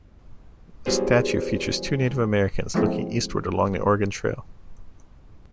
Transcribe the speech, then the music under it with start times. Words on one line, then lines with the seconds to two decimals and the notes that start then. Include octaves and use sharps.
The statue features two Native Americans looking eastward along the Oregon Trail.
0.86 E3 F#3 G3 B3 G#4 C5
2.74 F3 G#3 A3 B3 C4 E4